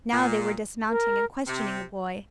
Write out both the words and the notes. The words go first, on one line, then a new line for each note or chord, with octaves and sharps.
Now they were dismounting and questioning the boy.
A#2
A#4
C3